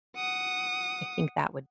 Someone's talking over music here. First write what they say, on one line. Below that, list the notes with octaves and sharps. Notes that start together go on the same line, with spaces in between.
I think that would
F#5 D#6